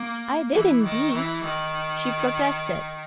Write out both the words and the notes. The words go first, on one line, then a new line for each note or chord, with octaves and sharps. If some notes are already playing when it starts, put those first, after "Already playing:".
I did indeed,' she protested.
Already playing: A#3
E3
D#3
E3
D#3